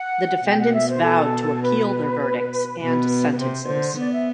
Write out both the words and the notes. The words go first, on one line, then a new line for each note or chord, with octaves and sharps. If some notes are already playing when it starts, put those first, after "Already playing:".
The defendants vowed to appeal their verdicts and sentences.
Already playing: F#5
B2 G5
F#5
E5
C5
A4
B4
B2 B4
B4
C3 C5
D3
B3 D5
E5